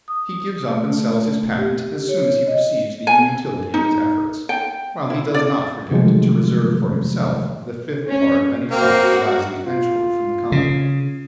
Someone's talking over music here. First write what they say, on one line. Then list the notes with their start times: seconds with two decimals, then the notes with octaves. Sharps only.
He gives up and sells his patent as soon as he perceives the inutility of his efforts, while he does not forget to reserve for himself the fifth part of any profit arising eventually from the colony.
0.08 D#6
0.69 A3
1.58 G4
2.09 C#5
2.47 D#5
3.07 G#5
3.74 D#4
4.49 G5
5.10 E4
5.34 D5
5.91 C3 D#3 F3 F#3 G#3 A3
8.08 C#4
8.71 A#3 C4 F#4
9.64 F4
10.52 C#3